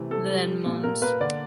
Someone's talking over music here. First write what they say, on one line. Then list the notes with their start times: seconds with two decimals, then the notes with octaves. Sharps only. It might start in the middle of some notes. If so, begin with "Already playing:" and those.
Then mons.
Already playing: C3 E3 A3
0.11 C3 A4
0.30 G3
0.48 G3
0.66 A#2
0.84 A#2 A#4
1.02 A#3 B4
1.20 D3 D5